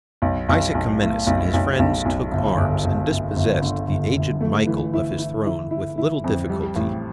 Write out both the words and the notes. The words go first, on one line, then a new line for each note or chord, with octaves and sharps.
Isaac Comnenus and his friends took arms, and dispossessed the aged Michael of his throne with little difficulty.
B1
B1
B1
A2
B1
B1
B1
B1
G1
G1
G1
G1
G1
D3
G1
G1
A3
E3
E4
E4
E4
E4
E4
F2
G3
A1